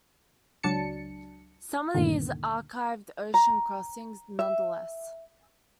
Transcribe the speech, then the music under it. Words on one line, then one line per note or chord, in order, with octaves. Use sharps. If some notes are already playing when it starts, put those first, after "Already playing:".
Some of these achieved ocean crossings, nonetheless.
C#2 F#3 D4 A5 C#7
D2 G2 A#2 D3 D#3
A#5
E5